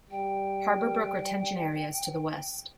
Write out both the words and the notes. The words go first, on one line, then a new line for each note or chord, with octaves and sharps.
Harbor Brook Retention area is to the west.
G3 G5